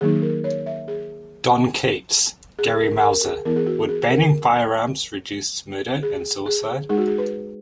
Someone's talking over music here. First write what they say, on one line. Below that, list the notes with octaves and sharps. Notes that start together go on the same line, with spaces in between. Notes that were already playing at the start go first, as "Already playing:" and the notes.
Don Kates, Gary Mauser, Would Banning Firearms Reduce Murder and Suicide?
D#3 F#3 A#3 D#4 G#4
A#4
C#5
E5
G#4
G#4
A#4
A#4
G#4
E3 B3 E4 A#4
G#4
F#4
G#4
A#4
G#4
G#4
G#3 D#4 G#4
F#4
G#4
B4